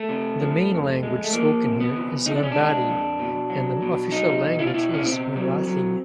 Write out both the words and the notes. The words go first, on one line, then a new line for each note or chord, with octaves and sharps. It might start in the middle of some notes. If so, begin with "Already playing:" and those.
The main language spoken here is Lambadi and the official language is Marathi.
Already playing: A3
C3
F3
F2
G#3
A3
F3 A#3
C3
B3
F3
C3 D#4
D4
C#4
D4
G#3
F2
B2
F#3
B2
F#3 D#4
B2
E4
F4
B2 E4
C#4
B2 C4
F#3
F#3